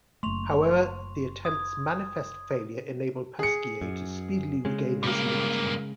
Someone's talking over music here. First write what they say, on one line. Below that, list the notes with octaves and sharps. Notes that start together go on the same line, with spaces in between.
However, the attempt's manifest failure enabled Pasquier to speedily regain his liberty.
F#1 A3 C6 C#6 F7
D#6 G#6
G#4 C#7
F#2
C#3 G#3
G2 A#3